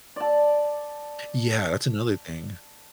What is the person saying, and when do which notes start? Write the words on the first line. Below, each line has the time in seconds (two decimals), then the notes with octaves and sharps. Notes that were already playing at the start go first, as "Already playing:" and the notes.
Yeah, that's another thing.
0.16 D5 A5